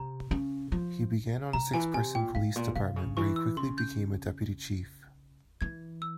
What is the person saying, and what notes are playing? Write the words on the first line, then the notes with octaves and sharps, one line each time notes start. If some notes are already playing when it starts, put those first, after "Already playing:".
He began on six-person police department where he quickly became a deputy chief.
Already playing: C3 A#5
C#3
F3
C3 A#5
E3 G#5
C3 G#5
A#2 G5
G#2 F5
A#2
C3 F5
C#3
E3 C#6
E6
C#3 C6
G6
E3 G#6
E6